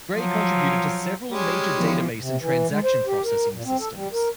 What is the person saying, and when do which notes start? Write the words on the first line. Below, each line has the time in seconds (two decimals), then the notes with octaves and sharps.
Gray contributed to several major database and transaction processing systems.
0.16 F3 F#3
1.31 G3 G#3 C#4
1.77 E3 F3 B3
2.20 C3
2.40 E3
2.71 G#3
2.84 C5
3.07 G4
3.24 A#4
3.53 A#2
3.66 C4
3.79 A4
3.94 G3
4.13 A#4